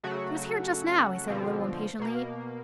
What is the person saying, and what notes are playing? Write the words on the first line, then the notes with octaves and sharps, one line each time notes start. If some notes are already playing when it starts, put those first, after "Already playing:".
"She was here just now," he said a little impatiently.
C#3 F#3 A3 F#4
B2 D3 F3 C4
B2 A#3